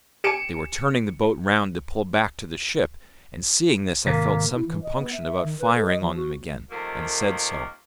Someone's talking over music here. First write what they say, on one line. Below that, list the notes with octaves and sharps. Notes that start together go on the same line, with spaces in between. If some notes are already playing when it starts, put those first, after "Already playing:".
They were turning the boat round to pull back to the ship, and seeing this I felt some compunction about firing on them again, and said so.
G4 G#5 C#7 D7 E7
G#1 C3 A#3
E4
E3
D#5
B3
E5
E5
D#3
B4
A4
D#5
F3
F#4
C3 D#3 F3 A3 A#3